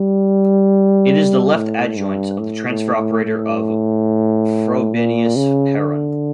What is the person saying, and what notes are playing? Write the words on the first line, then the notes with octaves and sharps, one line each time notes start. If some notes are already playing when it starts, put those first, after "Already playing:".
It is the left-adjoint of the transfer operator of Frobenius-Perron.
Already playing: G3
A2
G2
A2
A2
A2
A2
A#2
C#3
D3